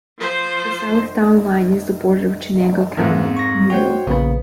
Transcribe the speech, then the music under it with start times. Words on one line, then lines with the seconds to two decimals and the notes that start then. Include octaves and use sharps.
The south town line is the border of Chenango County, New York.
0.19 F3 C5
2.97 F2 G#2 E3 A3 C4 A#4
3.37 C#6 A#6
3.70 F#4 C5 C#5 G5
4.07 A#1 C#3 A#3 B3 B5